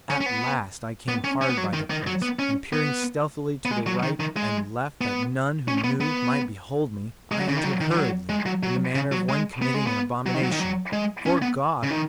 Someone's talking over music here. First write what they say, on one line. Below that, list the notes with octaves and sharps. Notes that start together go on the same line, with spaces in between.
At last I came hard by the place, and peering stealthily to the right and left that none who knew might behold me, I entered hurriedly, in the manner of one committing an abomination. 'Fore God!
C#4
C#4
B3
B3
C#4
C#4
B3
F#3
D#3
D#3
F#3
B3
C#4
B3
B3
G#3
F#3
D#3
D#3
G#3
B3
C#4
B3
B3
G#3
F#3
C#3
D#3
F#3
D#3
D#3
F#3
G#3
F#3
F#3
C#3
F#3
G#3
B3
G#3
B3
F#3
D#3
F#3
D#3
F#3
G#3
C#4
B3
C#3
D#3